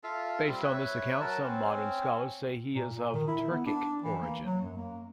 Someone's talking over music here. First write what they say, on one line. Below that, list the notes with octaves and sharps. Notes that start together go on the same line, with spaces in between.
Based on this account, some modern scholars say he is of Turkic origin.
F4 A4 E5 F5
G3 C4
B4 C#5 E5
F#3 A#4 B4 A5
C4 C#4
A#2
A#2
D#3
E4
B3
D4
E3
A#3
F#3
F#2
A#3